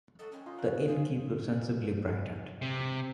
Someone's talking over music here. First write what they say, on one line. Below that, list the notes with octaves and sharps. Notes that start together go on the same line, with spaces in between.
The innkeeper sensibly brightened.
F#3 F#4 A4 D#5
D3 D#3 G3 C#4
D#4 F4
F#3 A#4 F#5
G#4 F5
C3